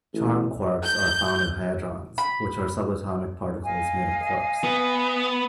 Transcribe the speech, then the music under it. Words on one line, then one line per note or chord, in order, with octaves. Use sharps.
Charm quarks are found in hadrons, which are subatomic particles made of quarks.
A1
G6
B5
D#5 F5 G#5
B3